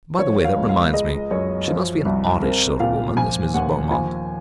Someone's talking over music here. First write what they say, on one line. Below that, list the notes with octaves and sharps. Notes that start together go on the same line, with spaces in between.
By the way, that reminds me, she must be an oddish sort of woman, this Mrs. Beaumont.
F3 C#5
F5
C#2
F5
G#3 D#5
F#2 C#5
F3
C2
C4 A#4
A#2 F5
F3 G#5
D#2 F#5
F3 G#5